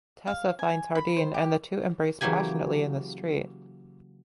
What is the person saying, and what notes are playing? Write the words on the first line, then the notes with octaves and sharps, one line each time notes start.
Tessa finds Hardin and the two embrace passionately in the street.
F5
G#5
B5
C5
G4
C#3 E3 F#3 A#3 G4 G#5